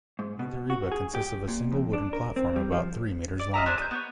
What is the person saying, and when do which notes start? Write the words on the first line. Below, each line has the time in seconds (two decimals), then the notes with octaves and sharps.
Mindaribba consists of a single wooden platform about three metres long.
0.19 G#2
0.39 B2
0.70 F#4
0.92 G#4
1.15 G4
1.48 A#2
1.72 F2
1.93 D4
2.13 A#4
2.36 C4
2.56 G3
2.72 F3
3.39 D5
3.54 F4 D#5 E5 A#5
3.66 D4 C5 G#5
3.78 D#6 G6
3.91 B3 C#5